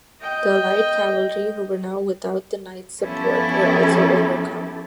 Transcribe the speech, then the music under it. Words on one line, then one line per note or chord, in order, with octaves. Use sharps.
The light cavalry, who were now without the knights' support, were also overcome.
D#5 G5
F3 B3 C#4 E4 G4 A4